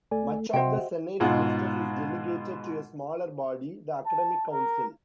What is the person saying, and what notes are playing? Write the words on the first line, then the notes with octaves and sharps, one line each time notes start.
Much of the Senate's business is delegated to a smaller body, the Academic Council.
C#2 A3 D5 G#5
C3 F#4 C5 D#5 E5 F#5 G5
G#2 B2 F4 F#5
A5
A#4